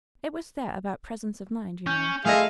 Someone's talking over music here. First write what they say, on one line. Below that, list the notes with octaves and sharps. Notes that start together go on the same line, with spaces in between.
It was that about presence of mind, you know.
C#4 G#5 G6
A3 E4 F4 G#4 A4 D#5 F5